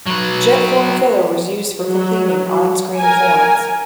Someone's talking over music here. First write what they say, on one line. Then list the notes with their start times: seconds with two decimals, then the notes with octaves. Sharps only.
JetForm Filler was used for completing on-screen forms.
0.06 F#3 B4
1.85 F#3
2.98 A#4 G#5